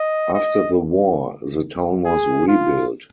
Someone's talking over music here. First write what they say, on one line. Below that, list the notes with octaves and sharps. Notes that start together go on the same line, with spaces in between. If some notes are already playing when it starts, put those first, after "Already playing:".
After the war, the town was rebuilt.
Already playing: D#5
D#5
G#4
F4